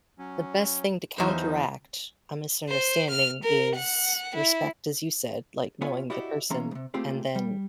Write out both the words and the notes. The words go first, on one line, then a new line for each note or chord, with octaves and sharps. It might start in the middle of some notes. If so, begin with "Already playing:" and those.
the best thing to counteract a misunderstanding is respect, as you said- like, knowing the person and then
F#3 C#4
E2 F3 F#3 D#4 C5
C5
F6
A#4
F#5
E4
B3 F4 C#5 E5 G#5
E4 F#4 G4 D5 D#5 F#5
E3 A#3 C#4 A#5 C6
C#2 C3
A3 A#3 C4 F4 G4 G#4
G3